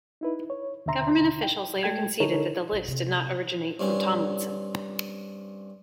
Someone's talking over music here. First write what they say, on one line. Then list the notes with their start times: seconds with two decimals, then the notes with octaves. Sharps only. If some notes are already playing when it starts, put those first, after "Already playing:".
Government officials later conceded that the list did not originate from Tomlinson.
0.21 D#4 E4 B4
0.50 C#5
0.86 D#2 B2 D3 E5 A#5 C6
1.43 G5
1.83 G#3 A3 A4 G5 G#6
2.20 D3 D#4 E4 A4 A#4 C#5
2.72 A#1
2.88 C3
3.80 G2 C4 C#4